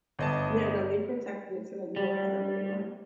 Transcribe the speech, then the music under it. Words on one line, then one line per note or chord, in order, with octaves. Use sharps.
Yeah, no, they protect it so that you don't harm anyone.
G1 D#5 A5
G3